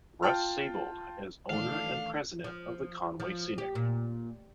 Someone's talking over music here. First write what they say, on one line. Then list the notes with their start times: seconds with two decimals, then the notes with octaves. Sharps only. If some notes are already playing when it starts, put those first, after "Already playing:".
Russ Seybold is owner and president of the Conway Scenic.
0.23 F4 G5 A5 F6
1.50 D#3 E3 A3 D4 A4 F5
2.44 F3
3.20 F3
3.58 G4
3.75 A#2